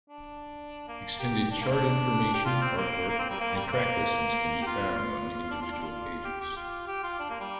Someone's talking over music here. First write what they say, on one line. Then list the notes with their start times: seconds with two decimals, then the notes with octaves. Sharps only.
Extended chart information, artwork and track listings can be found on individual pages.
0.09 D4
0.88 A#3
1.19 G4
1.51 D4
1.61 A#3
1.72 D4
2.34 G4
2.46 F4
2.61 C4
2.78 A#3
3.09 A#3
3.19 C4
3.30 G3
3.41 A#3
3.56 G3
3.67 C4
3.72 A#3
4.62 G4
4.67 F4
4.98 F4
5.51 D4
5.62 F4
5.72 D4
5.82 F4
6.25 G4
6.40 G4
6.57 F4
6.88 G4
7.04 F4
7.19 D4
7.30 A#3
7.40 G3